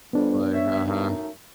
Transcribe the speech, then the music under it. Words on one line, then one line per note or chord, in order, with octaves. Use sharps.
Like, uh-huh.
F2 G3 B3 D4
C#5 E5
F#2 A3 D#4